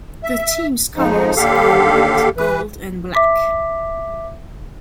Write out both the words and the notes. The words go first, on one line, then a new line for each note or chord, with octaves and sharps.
The team's colours are white, gold and black.
E5
F2 G#2 C#3 F3 D#4
D#2 D3 G4 A4 F5
E3 B4
E5 D6 B6